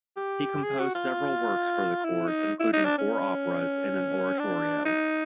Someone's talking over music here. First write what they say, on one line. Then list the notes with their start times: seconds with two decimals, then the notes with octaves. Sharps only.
He composed several works for the court, including four operas and an oratorio.
0.16 G4
0.64 G#4
0.79 F#4
0.95 F4
2.05 E4
2.28 D#4
2.60 E4
2.73 D#4
2.85 D4
2.98 C#4
4.39 D4
4.85 D#4